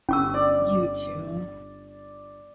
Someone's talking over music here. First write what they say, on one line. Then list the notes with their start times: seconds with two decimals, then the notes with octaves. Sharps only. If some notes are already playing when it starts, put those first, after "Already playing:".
You too.
0.09 G1 C#4 C#6 E6
0.34 D5